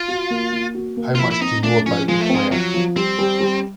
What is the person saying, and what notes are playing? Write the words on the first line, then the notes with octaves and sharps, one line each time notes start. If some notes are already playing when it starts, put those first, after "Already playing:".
How much do you know about the player?
Already playing: F4
F#4
A#3
A#3
F#4
A#3
F4
F3 E4
E4
C4 D#4
A3 D4
F3 C#4
F3 G#3
A3
G#3 C4
F3 F#3
F3
G3 C4
G3
G3